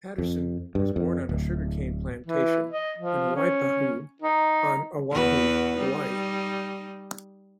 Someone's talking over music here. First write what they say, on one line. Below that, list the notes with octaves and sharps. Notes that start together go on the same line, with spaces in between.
Patterson was born on a sugarcane plantation in Waipahu on Oahu, Hawaii.
F2
G2
F2
D1
E3
D#5
F3
C#4
D#4
E2 F#4 B4
G3 D#4